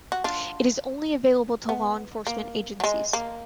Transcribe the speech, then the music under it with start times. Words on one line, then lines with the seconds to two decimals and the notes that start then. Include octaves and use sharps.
It is only available to law enforcement agencies.
0.12 F#4
0.24 D4 F4
1.69 B3
2.27 A#3
2.80 F#3
2.84 G#3
3.13 A#3